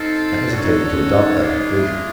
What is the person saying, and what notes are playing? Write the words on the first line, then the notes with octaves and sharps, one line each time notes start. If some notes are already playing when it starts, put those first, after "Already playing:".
I hesitated to adopt that conclusion.
Already playing: C4 D#4 F4 A4
D4 F#4 A4 C#5 F#5
D#4
D4
C#4
C#4
D#4
D#4
A#3 D4 F4 G#4
E4